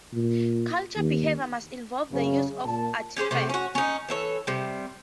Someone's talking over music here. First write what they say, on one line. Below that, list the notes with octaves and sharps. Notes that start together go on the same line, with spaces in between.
Cultural behavior must involve the use of artifacts.
A#2
D#2
F#2 C#3
A#2 A5
C#4 G4 G#4 C5
C3 A3
C#4 F#4
C#4 D#4
E3 A4 C#5
C3 G3